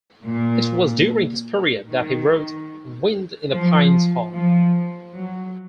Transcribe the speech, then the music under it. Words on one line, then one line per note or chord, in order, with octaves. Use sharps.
It was during this period that he wrote "Wind in the Pines Hall".
A#2
D#3
F3
F3
F#3